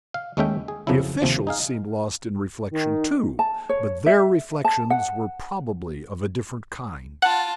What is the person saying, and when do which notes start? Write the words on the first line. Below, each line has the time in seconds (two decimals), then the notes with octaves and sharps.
The officials seemed lost in reflection too; but their reflections were probably of a different kind.
0.14 F5
0.37 D#2 G#3 A3 C#4 E5 G5
0.68 G#4
0.87 F2 C#3 F3 F#3 E4
1.22 D#2 C3 F3
1.47 D#4 G#4 F5
2.71 D#3
3.39 A5
3.69 C#5
4.06 E5
4.64 A5
4.90 F#5
7.22 F4 F#5 A5